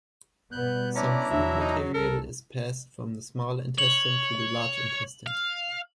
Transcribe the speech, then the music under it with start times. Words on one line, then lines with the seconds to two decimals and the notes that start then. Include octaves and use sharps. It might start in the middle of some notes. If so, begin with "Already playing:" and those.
Some food material is passed from the small intestine to the large intestine.
0.52 B2 G3 B3 F#6 G6
0.95 C#4 D4 E4 D5 A#5
1.30 E2 F#3 E5
1.60 D#4
1.94 C2 A4 A#4
3.78 C#5 F#7
5.27 F5